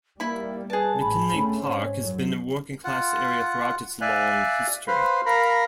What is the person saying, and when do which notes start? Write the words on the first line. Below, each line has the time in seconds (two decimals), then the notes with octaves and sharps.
McKinley Park has been a working-class area throughout its long history.
0.20 G3 A#3 E4 B5
0.70 G#4 B4 A5
1.01 A1 B5
1.34 A3 C4 C#4
1.65 G#2 C#5
2.02 F#2 F#3
2.85 F4 F#5
4.01 D5 E5 F5 G#5 F#6
4.88 B4 C5 F5 B5 C6
5.26 A#4 F5 A#5 B5